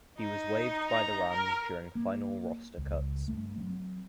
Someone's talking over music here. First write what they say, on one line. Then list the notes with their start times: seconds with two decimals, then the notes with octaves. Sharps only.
He was waived by the Rams during final roster cuts.
0.18 D#4
0.89 A#5
1.29 A#4
1.95 A#3
2.78 C#2
3.28 G2 A3
3.58 F#3 C4